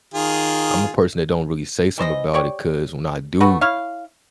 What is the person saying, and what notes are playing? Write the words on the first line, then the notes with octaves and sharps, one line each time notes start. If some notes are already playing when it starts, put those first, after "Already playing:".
I'm a person that don't really say some about it 'cause when I do,
D#3 F4 G#4
E3 C5 D5 D#5
G4 C#5 D5
A3 F#4 A4 B4
E4 C#5 F5